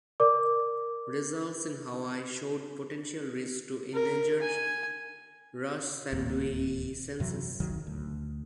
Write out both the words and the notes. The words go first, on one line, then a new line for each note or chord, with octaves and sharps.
Results in Hawaii showed potential risk to endangered "Rhus sandwicensis".
A#4 D5 D6
A#4
G#5
D1 D#2 A#2
F#2 C3 E3 F#3
D#1 C2 D#3 F#3
D2